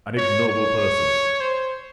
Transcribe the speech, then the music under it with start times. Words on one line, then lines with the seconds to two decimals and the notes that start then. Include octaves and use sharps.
An ignoble person!
0.17 C#5
0.48 C#5
1.41 C5